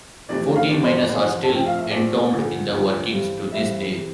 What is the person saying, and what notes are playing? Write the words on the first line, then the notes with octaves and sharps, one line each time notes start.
Fourteen miners are still entombed in the workings to this day.
F2 C3 E3 A3 D4 D5
F5
G1 F2 C3 E3 D5
C5
D5
G1 F2 C3 E3 C5
A5
A#1 A2 F3 A3 C4 G5
F5
E5
A#1 A2 F3 A3 C4 D5
D2 D3 F3
D2 D3 F3
G2 E3 G3 C4
G2 E3 G3 C4 E5
C3 E3